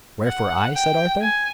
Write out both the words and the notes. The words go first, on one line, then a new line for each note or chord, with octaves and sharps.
"Wherefore I?" said Arthur.
F#5
G5
G#5